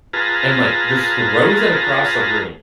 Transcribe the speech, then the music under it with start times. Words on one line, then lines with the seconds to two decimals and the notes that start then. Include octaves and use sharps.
and, like, just throws it across the room,
0.13 F4 G#4 B4 A5 A#5